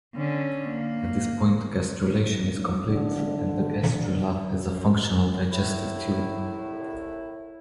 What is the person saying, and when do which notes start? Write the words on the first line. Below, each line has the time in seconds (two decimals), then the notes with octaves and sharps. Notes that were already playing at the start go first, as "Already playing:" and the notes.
At this point gastrulation is complete, and the gastrula has a functional digestive tube.
0.16 D3 C#4
0.69 A#3
2.87 D3
4.54 F#2
5.51 C2 A2 E4